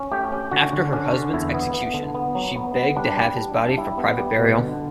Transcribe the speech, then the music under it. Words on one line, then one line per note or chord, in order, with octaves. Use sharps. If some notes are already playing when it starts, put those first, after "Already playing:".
After her husband's execution, she begged to have his body for private burial.
Already playing: C#4
A3 G4
C#4
D3 F#4
D3
C#4 D4
D3
E2 E4
B3
B3
D3
B3
F#3
B3
B3
G3 D4
G3
D4
D4
G3 E4
B3
G3
B2
D3